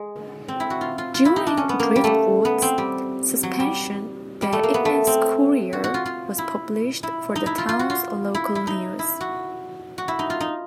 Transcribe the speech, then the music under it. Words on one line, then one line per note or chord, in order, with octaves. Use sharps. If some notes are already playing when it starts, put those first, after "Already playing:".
During "Driftwood"'s suspension, the "Ignace Courier" was published for the town's local news.
Already playing: G#3
C4
E4
F#4
F4
F4
F4
E4
D#4
D4
C#4
B3
A#3
G3
A3
B3
C4
G3
F#3
G3
G3
A3
A#3
B3
A3
C4
F#4
F#4
F4
F4
E4
E4
D#4
E4
F4
F4
F#4
F4
E4
E4
D#4
E4
F#4
F#4
E4
D#4
F4
D#4